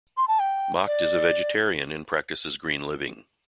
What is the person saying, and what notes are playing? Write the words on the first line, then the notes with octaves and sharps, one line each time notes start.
Macht is a vegetarian and practices green living.
C6
A5
G5
D5